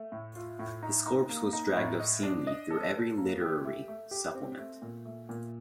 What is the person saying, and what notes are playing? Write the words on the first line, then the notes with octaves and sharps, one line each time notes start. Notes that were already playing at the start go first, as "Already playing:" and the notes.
His corpse was dragged obscenely through every literary supplement.
Already playing: A3
A2
F4
A2
D#4
D#4
A#3
D#4
A2
D#5
D4
D#5
A4
A4
A#3
G4
A3
A3
G4
C4
A3
A#2
A3
A#2